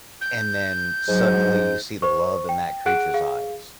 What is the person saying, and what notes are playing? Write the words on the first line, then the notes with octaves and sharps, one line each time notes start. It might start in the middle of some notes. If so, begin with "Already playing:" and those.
and then suddenly you see the love in that creature's eyes,
G6
G#2 F#3
C5 C#6
G5
G#4 F#5 F#6 D7
G#4 F5